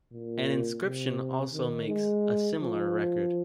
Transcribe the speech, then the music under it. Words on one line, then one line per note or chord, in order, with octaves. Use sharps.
An inscription also makes a similar record.
A#2
C3
D#3
G#3
F3